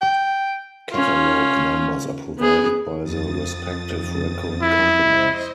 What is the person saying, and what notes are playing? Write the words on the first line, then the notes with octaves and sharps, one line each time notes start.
Catalogue numbers are provided by the respective record companies.
G5
C#4 F4
B3 G#4
F2 D#6 A6
E4
C5 D#5